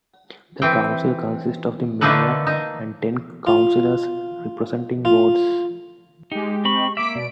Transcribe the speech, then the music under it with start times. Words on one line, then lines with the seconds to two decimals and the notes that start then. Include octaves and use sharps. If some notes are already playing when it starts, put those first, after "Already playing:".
The council consists of the mayor and ten councillors representing wards.
0.62 E3 C4 G5
2.01 D3 A3 A#3 D#4 A4 B4
2.47 D#4
3.47 F4
5.05 F4
6.32 G#3 D#4 G4
6.65 C4 B5 C#6
6.97 A#3 E5 D6 B6 D7
7.15 B2 D5 D7